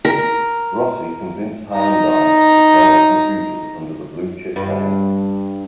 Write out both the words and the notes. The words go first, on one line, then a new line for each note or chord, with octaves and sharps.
Rossi convinced Hyundai to sell their computers under the Blue Chip name.
A#4
D#4 A#5
G2